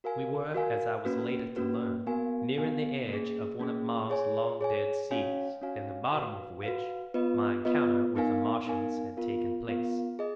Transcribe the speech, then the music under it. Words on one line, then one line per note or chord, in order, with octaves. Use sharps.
We were, as I was later to learn, nearing the edge of one of Mars' long-dead seas, in the bottom of which my encounter with the Martians had taken place.
F#4 A#4 F5 G#5
F#4 A#4 F5 G#5
A#3 C#4 F#4 B4
A#3 C#4 F#4 B4
B3 F#4 A#4 F5 G#5
B3 F#4 A#4 F5 G#5
A#3 C#4 G#4
A#3 C#4 G#4
G#4 C#5 G#5
G#4 C#5 G#5
C#4 F#4 C#5 F5 G#5
C#4 F#4 C#5 F5 G#5
F#4 B4 F5
F#4 B4 F5
B3 F4 B4 D#5
B3 F4 B4 D#5
B3 D#4 A#4 F5 G#5
B3 D#4 A#4 F5 G#5
B3 F4 A#4 F5
B3 F4 A#4 F5
G#4 D#5